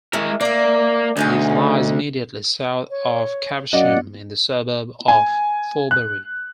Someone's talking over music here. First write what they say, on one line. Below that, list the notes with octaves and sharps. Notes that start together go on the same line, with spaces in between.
This lies immediately south of Caversham in the suburb of Forbury.
G#3 A3 E4 A#4
A#3 D5 E5
D2 G#3 C#4 D#4
C#5
F#2 D5 D#5 F5 F#5
G#5
F#6